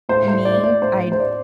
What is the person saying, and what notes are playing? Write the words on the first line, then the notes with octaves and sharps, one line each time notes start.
me, I'd
A2 C5
C5
A2
D5
A2
D5
A2 C5
A2 C5
D5